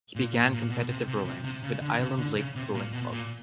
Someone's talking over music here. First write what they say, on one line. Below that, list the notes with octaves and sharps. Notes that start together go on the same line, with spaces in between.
He began competitive rowing with the Island Lake Rowing Club.
A#2
A#2
A#2
B2
C3
C3
C3
C3
C#3
D3
C#3
D3
C#3
C3
A#2
B2
A#2